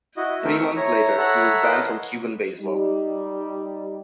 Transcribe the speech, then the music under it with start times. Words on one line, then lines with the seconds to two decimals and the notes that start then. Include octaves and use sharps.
Three months later, he was banned from Cuban baseball.
0.17 E4 F#4 D#5
0.44 A3 C4 A#4 E5
0.57 C#6
0.76 E4 C#5 A#5
1.18 A4 C#5 E5 F#5 A#5 B5
1.63 E4 A#4 B4 D#5 F#5 C6
2.61 G3 D#4